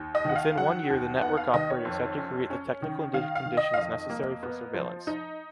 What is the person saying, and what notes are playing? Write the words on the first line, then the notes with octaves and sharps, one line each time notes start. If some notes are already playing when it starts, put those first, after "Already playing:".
Within one year the network operators had to create the technical conditions necessary for surveillance.
Already playing: D#2
D#5
D#3 F#5
F5
F#3 F#5
D#2
B3 F#5
F5
D#3 D#5
C#5
F2
C#4
C#4
D#3
D#3 F5
F5
D#3
D#5
F5
F2 D#5
A#3
B3
F3
D#4